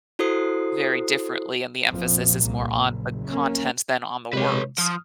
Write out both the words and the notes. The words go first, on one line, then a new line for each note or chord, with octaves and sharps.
very differently, and the emphasis is more on the content than on the words,
E4 F#4 A4 C5 D#6 C7
A#1 F2 A#2 F3
C2 A#3
F#1
A#3 C#4
C3 G#3 B4 C#5
F3 D#6 F6